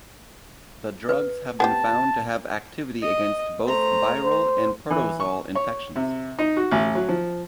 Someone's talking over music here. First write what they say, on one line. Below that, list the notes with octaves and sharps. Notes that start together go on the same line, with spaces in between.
The drugs have been found to have activity against both viral and protozoal infections.
B4
B3 C4 G4 A5
D#5
A3 C5 A#5
C5
E3
C#6
C#5
C3
D#4
F#4
A1
F#3
F3